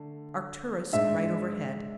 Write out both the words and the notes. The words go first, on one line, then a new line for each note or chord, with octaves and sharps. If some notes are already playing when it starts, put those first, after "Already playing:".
Arcturus right overhead.
Already playing: D3 A3
G#2 G#3 D4 E5